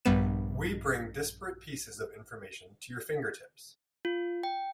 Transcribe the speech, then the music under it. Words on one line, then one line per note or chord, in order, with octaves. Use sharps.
We bring disparate pieces of information to your fingertips.
A#1 G2 G3 B3 E7
F4
G5